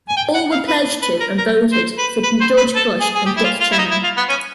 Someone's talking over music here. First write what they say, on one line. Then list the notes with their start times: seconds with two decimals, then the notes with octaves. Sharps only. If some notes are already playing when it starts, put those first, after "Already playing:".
All were pledged to and voted for George Bush and Dick Cheney.
0.09 G#5
0.17 G5
0.34 F#5
0.51 F5
0.68 B4
1.02 B4
1.20 A#4
1.38 A#4
1.72 C5
1.98 B4
2.23 B4
2.41 C5
2.57 B4
2.75 A4
3.01 G#4
3.15 G#4
3.26 G4
3.37 E4
3.44 F4
3.60 F4
3.72 E4
3.78 D#4
3.91 E4
4.03 F4
4.17 B3
4.29 C#4